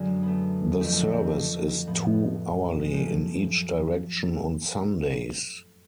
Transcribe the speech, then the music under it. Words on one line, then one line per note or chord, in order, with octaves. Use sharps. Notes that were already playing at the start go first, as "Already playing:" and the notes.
The service is two-hourly in each direction on Sundays.
Already playing: F#2 D3 F#3 G#3
A3 B3
F2 F3 A3
A2 F3 B3
G#3
F#2 F3 A3